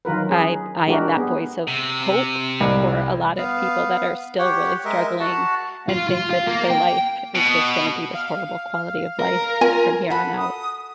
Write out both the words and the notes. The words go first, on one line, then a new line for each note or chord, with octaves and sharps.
I I am that voice of hope for a lot of people that are still really struggling, and think that their life is just gonna be this horrible quality of life from here on out.
D#3 F#3 F4 A#4 B4
C#4 G#4
G#3 D4 F#4 G4 A#4
B3 G#4
C3
C2
B3 F5
G4 C#5 F#5 G5
G#3 A#4 D#5 E5
F#4 F#5 A5
F4
F4
F4
A#3
G5
B2
F5
A#4
F4 G#5
A4 F#5 B5
D#6